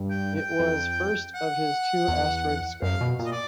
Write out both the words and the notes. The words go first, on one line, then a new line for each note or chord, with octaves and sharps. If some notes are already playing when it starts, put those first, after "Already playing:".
It was first of his two asteroid discoveries.
Already playing: G2
G5
G5
F2
F#5
E2
F#2 F5
B2
A#2
D#5
D5